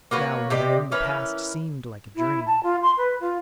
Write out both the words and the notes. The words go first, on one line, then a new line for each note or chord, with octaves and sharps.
Now and then the past seemed like a dream.
A#3 F#4 B4 C#5
C3 G4 D5 D#5
E3 C#4 A#4 B4
E4
A5
F4
C6
B4
F4